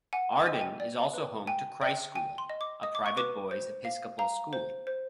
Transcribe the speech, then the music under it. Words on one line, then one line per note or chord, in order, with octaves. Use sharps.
Arden is also home to Christ School, a private boys Episcopal school.
F#5 G#5
D#5 G#5
G5
G#5
D5
B4
G5 G#5
D5 G5
G5 G#5
C6
D#5
D6
D#5 D#6
D6
C#6
B4 D6
C5
F5
F5 A#5
C5
C5